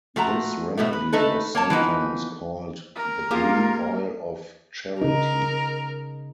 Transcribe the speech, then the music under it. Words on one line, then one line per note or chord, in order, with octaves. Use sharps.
This remedy was sometimes called the "Green Oil of Charity".
F3 A3 F#4 A#5
B2 F3 A3
B4
A3 D#4 A4 B4
A#3 C#5 A5
E3 F3 B3 D#4
A#4
A#3 F4 G4 G#4 F5
C#3 D#4 A#4